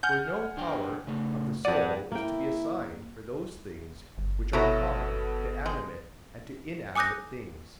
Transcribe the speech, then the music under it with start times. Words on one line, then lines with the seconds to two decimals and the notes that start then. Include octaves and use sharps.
For no power of the soul is to be assigned for those things which are common to animate and to inanimate things.
0.03 F#5 G#5 F6 G6
0.57 D3 D4 G5
1.07 C#3 A3
1.65 F2 D5 F#5 D#7
2.12 A#3 E4 G5
4.18 G1
4.53 B2 F#3 E4 A4 B4 A#5
5.66 G#3
6.95 G#5 D6 D#6 F#6 G6 A#6